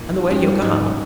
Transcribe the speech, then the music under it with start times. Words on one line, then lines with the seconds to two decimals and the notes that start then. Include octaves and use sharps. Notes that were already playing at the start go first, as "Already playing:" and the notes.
"On the way to Yokohama?"
Already playing: A#2 D#4
0.31 G2 C#4
0.62 G#2 D#4